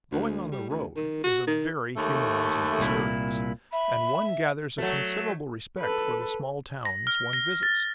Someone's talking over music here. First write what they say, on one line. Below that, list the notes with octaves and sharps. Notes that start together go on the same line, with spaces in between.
Going on the road is a very humanizing experience and one gathers a considerable respect for the small towns one visits.
D2
G3
D2
D#3
F#4
D#3
D#2 A3
C2 A#2 E4
E5 B5
F#3 A3
A4 B4
A#6
F6
A#6
A6